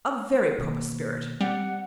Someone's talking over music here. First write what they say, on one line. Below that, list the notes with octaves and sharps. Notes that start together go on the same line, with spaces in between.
A very proper spirit!'
B2 D#3 A#3
G3 C4 F#5